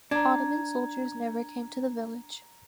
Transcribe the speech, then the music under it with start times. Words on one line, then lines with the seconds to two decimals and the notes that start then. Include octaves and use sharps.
Ottoman soldiers never came to the village.
0.11 D4 A#5 G#6